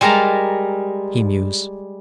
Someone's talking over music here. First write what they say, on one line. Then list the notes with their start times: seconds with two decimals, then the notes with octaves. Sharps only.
He mused.
0.01 G3 G#3 A#4 A5 A#5